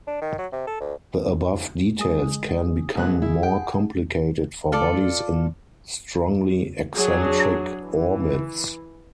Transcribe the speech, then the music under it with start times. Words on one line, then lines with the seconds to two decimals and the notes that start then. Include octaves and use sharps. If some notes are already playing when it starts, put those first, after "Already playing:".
The above details can become more complicated for bodies in strongly eccentric orbits.
0.07 D4
0.21 D#3
0.38 F#3
0.52 C3
0.67 A4
0.80 D2
1.99 G#3 G#5 D#6
2.95 C2 B3 G#4 F#6
3.22 E4
3.43 F#5 G5
4.72 F4 A4 D5
6.96 F#3 D4 G#4
7.83 E3